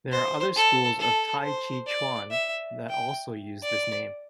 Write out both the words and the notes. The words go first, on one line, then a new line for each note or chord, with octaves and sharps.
There are other schools of T'ai chi ch'uan that also use this name.
C5
A4
A4
C5
D5
E5
G5
D5